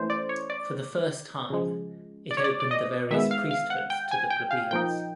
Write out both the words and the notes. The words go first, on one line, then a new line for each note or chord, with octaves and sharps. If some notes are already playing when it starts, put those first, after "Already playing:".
For the first time, it opened the various priesthoods to the plebeians.
Already playing: E3 A3 C#4 C5
D5
C#5
D5
C#3 F3 G#3
D5
C#5
D5
D5
D#5
D#3 G#3 B3 E5
F5
F5
F#5
G5
G#5
G5
F5
A#2 F3 A#3 D#4 G5